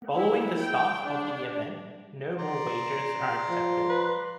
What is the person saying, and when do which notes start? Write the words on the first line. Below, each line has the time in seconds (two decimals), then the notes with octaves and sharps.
Following the start of the event, no more wagers are accepted.
0.14 E4
0.59 G5
1.04 D4
2.38 D5 A#5 C6
3.49 F3
3.89 B4